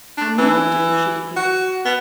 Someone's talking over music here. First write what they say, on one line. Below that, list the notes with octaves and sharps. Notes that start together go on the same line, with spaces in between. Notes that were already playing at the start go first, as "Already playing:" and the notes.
"I mean it to," she declared.
D4
E3
F#4
B3